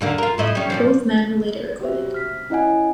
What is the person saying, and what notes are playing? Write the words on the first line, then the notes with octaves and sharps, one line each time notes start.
Both men were later acquitted.
D#2 D3 A#3
F4 A#4
A2 E4 D#5
G3 C#4
A#2 D#3 F3
F#4 G4 C5 E5
F6 B6
C#4 E4 D#5 F#5 G#5